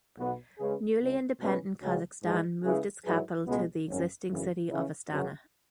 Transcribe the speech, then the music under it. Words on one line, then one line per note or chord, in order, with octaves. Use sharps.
Newly-independent Kazakhstan moved its capital to the existing city of Astana.
B1 B2 B3 F#4 B4
C#3 G#3 C#4 G#4 B4
C#2 C#3 G#3
B2 G#3 C#4 G#4 B4
C#2 C#3 G#3 C#4 F#4
G#2 E3 G#3 E4 G#4
C#3 G#3 E4 G#4 B4
G#2 F#3 E4 G#4 B4
C#2 B2 G#3 B3
G#1 F#2 F#3 C#4
G#1 F#2 C#3 E3
C#3 E3 C#4 E4
F#2 C#3 F#3 B3 G#4